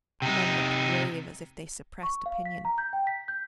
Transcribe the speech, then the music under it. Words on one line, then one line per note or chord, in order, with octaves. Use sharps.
The men looked grave, as if they suppressed opinion.
C3 D#4
C#6
F5
B6
A#5
G6
G5
B6
G6